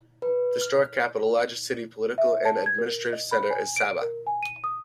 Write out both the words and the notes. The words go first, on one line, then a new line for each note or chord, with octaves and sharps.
The historic capital, largest city, political and administrative centre is Sabha.
B4
F6
E5
A5
G#6
A#4
D#5
B5
G#5
D7
A#4
G#5
D#7
D#6